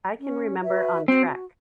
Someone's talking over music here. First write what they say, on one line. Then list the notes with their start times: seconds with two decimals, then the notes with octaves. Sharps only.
I can remember on Trek.
0.18 C#4
0.63 F#4 B4 E5
1.08 C4 F#4